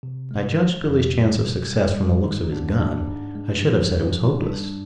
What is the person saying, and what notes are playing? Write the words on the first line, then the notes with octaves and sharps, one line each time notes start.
Had I judged Billy's chance of success from the looks of his gun, I should have said it was hopeless.
C3
G#3
F3
F2
G3
B2
G3
G3
D#3 D#4
G#2 D4
G#2 D4
G#2
G#3
F3
G2
G2
D#4
G3 D4